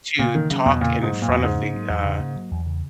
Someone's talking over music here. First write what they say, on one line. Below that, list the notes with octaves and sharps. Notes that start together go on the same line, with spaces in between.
to talk in front of the, uh
A#2 C#3
D#3 A#3
C#3 F#3
E2 B2
A#2 C#3
A#3
G#2
F#3
A#2
E2
G#2 C#3
A#3
F#3
E2
C#3
A#3
F#3
E2
C#3